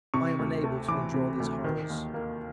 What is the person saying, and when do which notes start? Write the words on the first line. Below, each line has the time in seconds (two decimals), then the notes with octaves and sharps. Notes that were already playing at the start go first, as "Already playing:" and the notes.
I am unable to endure these horrors.
0.14 C3 C#6
0.39 D2
0.64 A3
0.88 E3 D6
1.14 C3
1.40 D2
1.64 D#3
1.90 D#2
2.14 A#3